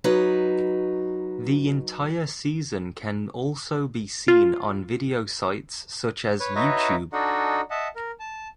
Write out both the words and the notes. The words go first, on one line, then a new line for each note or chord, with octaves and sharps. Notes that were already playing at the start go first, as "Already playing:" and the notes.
The entire season can also be seen on video sites such as YouTube.
F#3 D#4 B4
F4
B4 C#5
D#4 F#4 B4 C#5 D#5 E5
D4 D#4 F#4 A4 D#5 F#5
D#5 E5 F#5 A5
A#4
A5